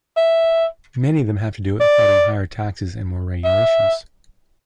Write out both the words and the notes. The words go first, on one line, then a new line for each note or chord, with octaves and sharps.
Many of them have to do with fighting higher taxes and more regulations.
E5
D5
E5